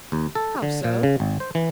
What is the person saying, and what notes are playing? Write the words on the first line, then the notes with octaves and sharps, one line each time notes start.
"How so?"
D#2
A4
D3
A#2
C#3
G#1
C5
E3